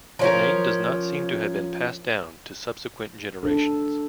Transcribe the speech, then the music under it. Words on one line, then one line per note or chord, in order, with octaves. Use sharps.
The name does not seem to have been passed down to subsequent generations.
F3 C#4 A#4
D4 A4